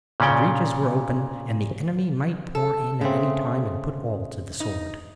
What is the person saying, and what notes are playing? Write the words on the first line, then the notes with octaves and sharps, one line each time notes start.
The breaches were open, and the enemy might pour in at any time and put all to the sword.
A#2 C#3 C#4 D5 G5
A4
C#3 G#3 A3 C4
D#4